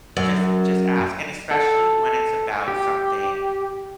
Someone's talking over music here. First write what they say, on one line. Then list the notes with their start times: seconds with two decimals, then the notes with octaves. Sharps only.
just just ask. And especially when it's about something
0.17 F#2
1.51 A4
2.68 G4